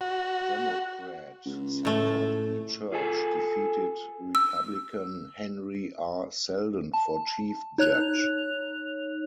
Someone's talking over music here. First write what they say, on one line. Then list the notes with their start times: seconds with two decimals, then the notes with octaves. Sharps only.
Democrat Sanford E. Church defeated Republican Henry R. Selden for Chief Judge.
0.01 F#4
1.45 C#2
1.85 A2 A3
2.92 F4 G#4 A4 G#5
4.35 E6
6.94 A5
7.78 D#4 C#5 F#6 F7